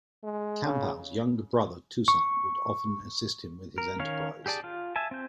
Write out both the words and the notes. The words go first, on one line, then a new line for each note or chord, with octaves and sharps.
Campau's younger brother Touissant would often assist him with his enterprise.
G#3
C#3
C#6
A#4
D#3 C#4 C#5 F5
G4 G#4 D5 A5
F4
E5 G#5 A5
C4 G6